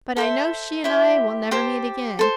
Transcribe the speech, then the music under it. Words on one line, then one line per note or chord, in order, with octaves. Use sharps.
But I know she and I will never meet again.
A4 C5 E5
E4 G4 C5 E5
G4 C5 A5
A4 C5